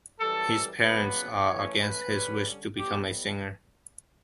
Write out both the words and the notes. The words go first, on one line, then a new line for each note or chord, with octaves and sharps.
His parents are against his wish to become a singer.
F#2 E3 G3 A4
C#3 F#3 B3 D4 B4
A2 E3 A3 C#4 C#5
B4
D3 G3 C#4
A2 G3 B3 G4